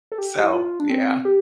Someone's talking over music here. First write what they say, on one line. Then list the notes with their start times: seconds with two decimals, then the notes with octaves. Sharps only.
So, yeah.
0.12 A4
0.18 G4
0.43 E4
0.53 F4
0.80 D4
0.90 C4
1.25 G4